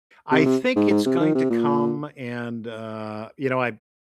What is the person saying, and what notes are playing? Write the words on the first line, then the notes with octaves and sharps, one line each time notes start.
I think it's going to come and, uh, you know, I b
C3
C3
G#2
G#2
C3
D#3
C3
A#2